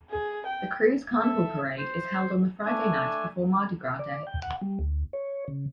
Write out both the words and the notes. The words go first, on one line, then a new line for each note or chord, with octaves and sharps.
The krewe's Carnival parade is held on the Friday night before Mardi Gras Day.
G#4
G5
A4 E5
C5
A3 D4 G#5
D5
G5
F#5
G3
D2
C#5
C#3